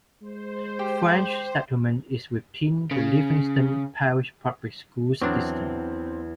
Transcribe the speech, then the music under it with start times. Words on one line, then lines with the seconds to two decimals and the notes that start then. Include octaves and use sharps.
French Settlement is within the Livingston Parish Public Schools system.
0.22 G#3 C5
0.79 G4
2.91 C#3
5.22 E2 F#3 C4 D4